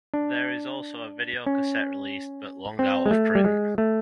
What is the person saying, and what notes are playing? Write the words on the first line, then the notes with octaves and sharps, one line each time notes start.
There is also a video cassette released, but long out of print.
D4
C#4
C4
G#3
A3
G3
G#3
A3